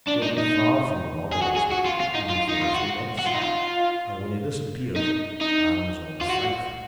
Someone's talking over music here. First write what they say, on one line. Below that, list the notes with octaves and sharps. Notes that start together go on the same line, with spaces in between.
He had been far from a model husband, even for the three months, and when he disappeared Anne was almost thankful.
D4
D#4
D#4
G#4
F#4
G#4
F#4
F4
F4
D#4
F4
D#4
F4
F#4
F#4
F4
D#4
F4
D#4
D#4
F4
F#4